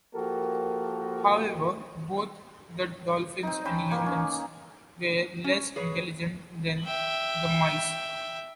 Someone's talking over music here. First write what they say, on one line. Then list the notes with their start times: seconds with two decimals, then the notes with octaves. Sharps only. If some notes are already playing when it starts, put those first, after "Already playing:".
However, both the dolphins and humans were less intelligent than the mice.
0.14 F3 A#3 F#4 G4 A4 A#4
3.43 C4 D#4
3.65 C#4 C5 G5 B5
3.88 A#3 G#5 C6
4.06 C#4
5.44 C#4
5.76 G#4 B4 C#5
6.85 E5 G5